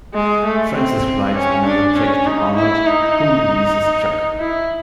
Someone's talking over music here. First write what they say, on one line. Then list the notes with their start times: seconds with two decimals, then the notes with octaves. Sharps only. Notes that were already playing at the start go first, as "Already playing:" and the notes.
Francis writes another check to Arnold, who releases Chuck.
0.14 G#3
0.45 A3
0.74 C4
1.35 C#4
1.66 D4
1.96 C#4
2.26 D#4
2.56 E4
2.86 D#4
4.38 E4